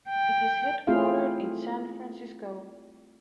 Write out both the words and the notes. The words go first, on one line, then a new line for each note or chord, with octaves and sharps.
It is headquartered in San Francisco.
G5
A3 C4 E4 F4 G#4 F5